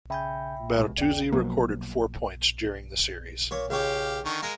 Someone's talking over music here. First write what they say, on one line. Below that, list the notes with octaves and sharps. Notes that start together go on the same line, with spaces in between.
Bertuzzi recorded four points during the series.
C#3 E5 G5 G#5 B5 G6
A1 B2 G#3
E2 D5 G5
B2 F3 F#3 A#3
A#2 C#5
C#2 G4 C#5 F5
D3 D#3 C#6
G#3 A#4 F5